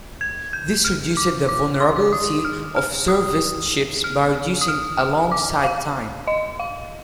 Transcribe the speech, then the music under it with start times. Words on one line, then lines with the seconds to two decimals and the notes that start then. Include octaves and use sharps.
This reduces the vulnerability of serviced ships by reducing alongside time.
0.21 G#6
0.53 G6
0.85 F6
1.17 D6
1.49 D6
1.81 C6
1.96 D6
2.13 D#6
2.45 F6
2.76 F6
3.08 D#6
4.04 F6
4.61 D#6
4.68 F6
4.99 F6
5.32 D6
5.64 F5
6.27 D#5
6.60 F5